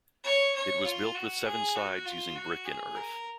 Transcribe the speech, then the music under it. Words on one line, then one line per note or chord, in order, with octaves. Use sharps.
It was built with seven sides using brick and earth.
C#5
C#5
F4
F#4
G#4
F#4
F4
F#4
G#4
A#4